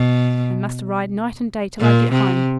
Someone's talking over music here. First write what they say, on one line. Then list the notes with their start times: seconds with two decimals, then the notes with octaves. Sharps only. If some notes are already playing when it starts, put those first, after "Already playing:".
I must ride night and day till I get home.
Already playing: B2
1.80 A#2
2.12 C3